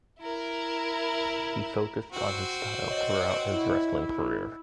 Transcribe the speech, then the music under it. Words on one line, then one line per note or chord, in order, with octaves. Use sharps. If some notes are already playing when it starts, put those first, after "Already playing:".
He focused on this style throughout his wrestling career.
E4 A#4
C4 F#4
C#5 D#5
E4